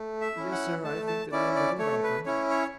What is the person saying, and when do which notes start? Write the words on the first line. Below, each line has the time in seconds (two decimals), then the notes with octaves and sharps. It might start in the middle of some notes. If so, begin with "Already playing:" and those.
"Yes, sir; I think that I am better without them."
Already playing: A3
0.21 E5
0.36 C#4 E4
0.52 F#5
0.84 A3 A5
1.07 A5
1.32 C#4 E4 D5
1.55 D5
1.78 A3 C#5
2.03 B4
2.26 C#4 E4 C#5
2.50 C#5